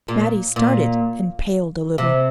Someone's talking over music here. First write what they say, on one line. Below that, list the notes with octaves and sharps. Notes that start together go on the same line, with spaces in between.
Mattie started and paled a little.
A#2
A#2
C3